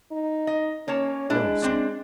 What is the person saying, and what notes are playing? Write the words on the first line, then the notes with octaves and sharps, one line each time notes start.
"No, sir."
D#4
D#5
A#3 C#4 C#5 A5
G#3 D4 E4
C4 D4